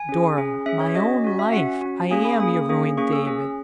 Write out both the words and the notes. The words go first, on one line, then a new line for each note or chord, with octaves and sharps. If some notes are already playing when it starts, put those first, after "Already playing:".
'Dora, my own life, I am your ruined David!'
Already playing: G#5
C#4 G#4
C#4 G#4
C#4 G#4 E5
C#5
C#4 F#4 D#5
C#4 F#4
E5
C#4 F#4 F#5
C#4 F#4
A#3 C#4 G#4 G#5
B5
A#3 C#4 G#4 D#6
A#3 C#4 G#4
A#3 C#4 G#4 C#6
E6
C#4 G#4